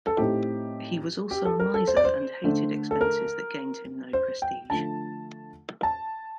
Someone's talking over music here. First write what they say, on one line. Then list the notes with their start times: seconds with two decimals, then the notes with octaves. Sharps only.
He was also a miser and hated expenses that gained him no prestige.
0.07 A4
0.18 A2 A3 C4 D#4 G4
1.31 G4
1.45 A4
1.60 A#4
1.74 A4
1.87 C5
1.97 D5
2.05 C5
2.44 D3 A3 D4
2.91 A4
3.01 A#4
4.13 C5
4.42 G5
4.70 D3 F3 A3 A5
5.83 A5